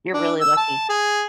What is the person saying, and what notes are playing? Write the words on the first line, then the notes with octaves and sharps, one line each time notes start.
You're really lucky.
D4
E6
A5
G#4